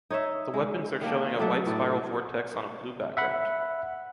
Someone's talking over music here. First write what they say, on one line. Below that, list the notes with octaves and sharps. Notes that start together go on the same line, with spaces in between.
The weapons are showing a white spiral vortex on a blue background.
D#4 C#5 D#5 E5
G#3
D#3 A#3 D4
F#3 A3 D4 D#4
A2 D5
E5 F#5 B5